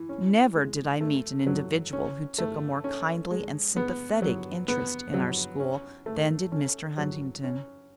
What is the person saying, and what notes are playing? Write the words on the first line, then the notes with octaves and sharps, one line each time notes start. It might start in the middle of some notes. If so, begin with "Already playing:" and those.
Never did I meet an individual who took a more kindly and sympathetic interest in our school than did Mr. Huntington.
Already playing: E3
C#4
G#3
A3
F#3
C#4
A3
C#4
G#3
B3
F#3
B3
F#3
C#4
A3
C#4
F#3
C#4